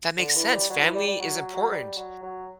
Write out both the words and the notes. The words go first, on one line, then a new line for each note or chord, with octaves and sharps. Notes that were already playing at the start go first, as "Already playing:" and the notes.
that makes sense. Family is important.
D3
E3
G3
F#3
E3
G3
G3
F#3
F#3
F#3
G3
F#3
F#3